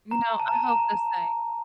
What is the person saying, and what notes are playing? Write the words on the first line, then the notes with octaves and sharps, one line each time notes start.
You know, I hope the same.
A#5
A5
A#5
A5
A#5